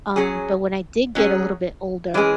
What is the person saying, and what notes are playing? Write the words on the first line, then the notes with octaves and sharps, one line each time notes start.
Um, but when I did get a little bit older
F#3 C#4 G#4
F#3 C#4 G#4
E3 G#3 C#4 G#4